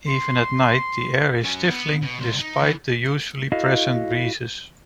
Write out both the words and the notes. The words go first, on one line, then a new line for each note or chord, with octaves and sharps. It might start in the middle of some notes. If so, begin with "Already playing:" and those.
Even at night the air is stifling despite the usually present breezes.
C6
F#3 C#4
B3
B2
C2 C5
D#4
E3
E4 F#4 A4 D#5 F5